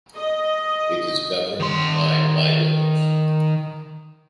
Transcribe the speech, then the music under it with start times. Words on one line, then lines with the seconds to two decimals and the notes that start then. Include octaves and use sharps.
It is governed by bylaws.
0.17 D#5
1.60 D#3 C6